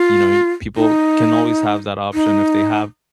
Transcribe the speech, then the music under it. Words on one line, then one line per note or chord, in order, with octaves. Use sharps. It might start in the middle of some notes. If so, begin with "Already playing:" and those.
you know, you people can always have that option if they have,
Already playing: F4
D#4
D#4